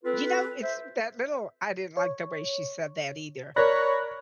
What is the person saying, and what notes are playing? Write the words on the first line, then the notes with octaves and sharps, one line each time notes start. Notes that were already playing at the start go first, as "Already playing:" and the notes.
You know? It's that little I didn't like the way she said that either.
C4 F4 A4 B4
C5 E5
C#5
A#4 C#5 D5 B5 F#6 A#6